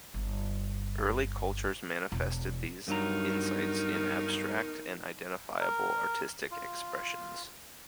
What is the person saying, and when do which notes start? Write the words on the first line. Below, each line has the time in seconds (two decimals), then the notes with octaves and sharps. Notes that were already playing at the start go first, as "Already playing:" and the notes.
Early cultures manifested these insights in abstract and identifiable artistic expressions.
0.14 G1
2.12 E1
2.88 G2 F#3 A3 B3 D#4 A#4 A#5
5.61 A#4
6.51 F4